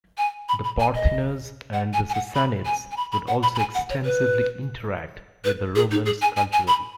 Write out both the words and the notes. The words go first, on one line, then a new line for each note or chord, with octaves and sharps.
The Parthians and the Sassanids would also extensively interact with the Romans culturally.
G#5
B5
B5
G#5
D#5
F#5
G#5
G#5
F#5
B5
G#5
G#5
B5
B5
F#5
B5
B5
G#5
F#5
C#5
B4
B4
G#4
D#4
G#4
G#5
G#5
G#5
B5